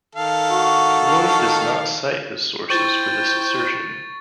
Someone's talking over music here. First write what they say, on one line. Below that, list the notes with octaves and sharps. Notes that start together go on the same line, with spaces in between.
Lloyd does not cite his sources for this assertion.
D#3 A4 F5
F#4
E4 F4 C5 G5 C#6 A6